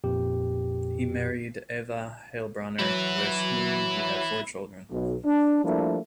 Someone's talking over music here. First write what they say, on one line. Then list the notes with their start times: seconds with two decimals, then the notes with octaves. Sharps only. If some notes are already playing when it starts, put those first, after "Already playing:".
He married Eva Heilbronner with whom he had four children.
0.04 F2 A#2 G4
2.79 F#3 E4 B4
4.91 B1
5.25 D4
5.63 F3 G3 A3 A#3 D4 E4